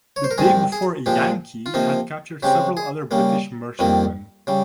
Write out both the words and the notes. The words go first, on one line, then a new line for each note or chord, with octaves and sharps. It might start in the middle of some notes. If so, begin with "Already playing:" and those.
The day before "Yankee" had captured several other British merchantmen.
C#5
C5
A#4
G#2 D#3 G3 C4 G#4
G#4
A#2 F3 G#3 G4
F4
C3 F3 A#3 D#4
C#3 G#3 C4 G4
G#4
C#3 G3 A#3
F2 D#3 G3 A#3
C#3 G3